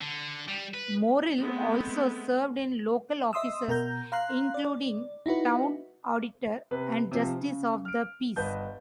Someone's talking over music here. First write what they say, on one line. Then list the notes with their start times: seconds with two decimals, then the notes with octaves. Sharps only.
Morrill also served in local offices including Town Auditor and Justice of the Peace.
0.02 D3
0.48 G3
0.74 B4
1.40 G#3 A3 B3 C4
3.33 D#5 E5 C6 D#6 E6
3.68 B2 A#4 A#5 G6
4.12 F5 A#5 C6 F#6
4.54 D5
5.26 D#4 E4 F#4 B4
6.71 C3 B4
7.12 C3 F3
7.40 C#3
7.85 F6 D7
8.36 G1 B4 D#5 A5 G6